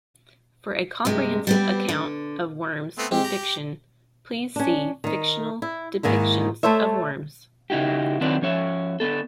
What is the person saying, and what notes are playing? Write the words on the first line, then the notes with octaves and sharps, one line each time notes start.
For a comprehensive account of worms in fiction, please see Fictional depictions of worms.
G2 C3 G#3
G3 B3 C4
D3
A3 B3 C4
G#3 C4 G4
A#5
C#4 D4
D#3 D#4
E4
G#2 D#3 A#3 E4
A3 A4 C5 C#5 E5
C#3 D#4 E4 F#4 G4
D#3 F#3 C4 D4 E4 B4
F3 C#4 C#5 E5
D3 B3 A4